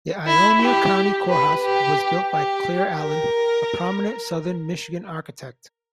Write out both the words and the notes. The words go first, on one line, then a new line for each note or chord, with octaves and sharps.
The Ionia County Courthouse was built by Claire Allen, a prominent southern Michigan architect.
E4
G4
B4
G4
G4
A#4